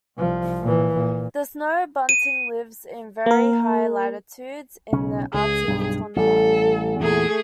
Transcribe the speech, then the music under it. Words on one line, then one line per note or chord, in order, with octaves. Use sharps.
The snow bunting lives in very high latitudes in the Arctic tundra.
C2 F3
A#2 E3
A#2
D#7
A#3 A#4
B1 C#3 C#4
C#2 G#4
B1 G2
A1 G3 A4
E2 A#2 A3 G#4